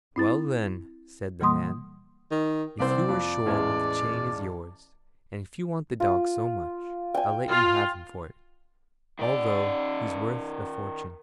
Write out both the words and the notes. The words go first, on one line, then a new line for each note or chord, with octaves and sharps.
"Well, then," said the man, "if you are sure that the chain is yours, and if you want the dog so much, I'll let you have him for it, although he's worth a fortune."
C4 E4 A6
A#2 E3 G3 A#3 C6 D#6
D#3
C2 C4 C5 D5
F2
A1 E2 G#3
F4
G5 G#5
F4
D#3 D5